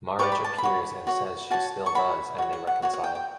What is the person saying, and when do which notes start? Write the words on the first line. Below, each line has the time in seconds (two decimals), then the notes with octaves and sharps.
Marge appears and says she still does and they reconcile.
0.19 G4 B4 D5 C#6
0.32 B5
0.44 A5
0.58 B5
0.63 F#4 C#5
1.07 F#4 C#5
1.51 F#4 C#5 A5
1.86 C#6
1.95 F#4 C#5 B5
2.38 F#4 C#5
2.53 F#5
2.67 F#5
2.82 F#4 C#5 F#5
2.93 F#5
3.04 G5
3.15 G5